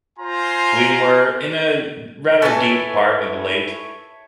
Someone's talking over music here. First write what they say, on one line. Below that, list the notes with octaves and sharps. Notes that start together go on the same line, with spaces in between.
we were in a r rather deep part of the lake,
F4 C5 G#5 A#5 C6
E4 A4 B4 C#5 E5 G#5 A5